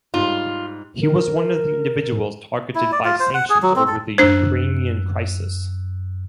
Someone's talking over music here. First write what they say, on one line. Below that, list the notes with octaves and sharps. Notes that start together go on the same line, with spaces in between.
He was one of the individuals targeted by sanctions over the Ukrainian crisis.
G#2 G3 F4
A#4
E4
D5
F4
C5
F#5
G#4
F#3
C4
A4
F#2 D4 C5 E6 F#6